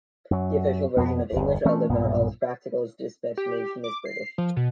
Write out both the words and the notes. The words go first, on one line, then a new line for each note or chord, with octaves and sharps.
The official version of English, although not always practical in its dispensation, is British.
F#2 F#3
F2 B2 B3
G1 E2
E3 A3 C4 C#4
B1 G2 A#2 B3
G4
D6
C7
F3
B2